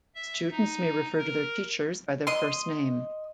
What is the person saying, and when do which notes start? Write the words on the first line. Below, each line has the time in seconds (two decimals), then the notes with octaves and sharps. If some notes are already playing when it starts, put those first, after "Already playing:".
Students may refer to their teachers by their first name.
0.15 E5
0.51 D#4
1.18 A#4
2.27 D#5 C6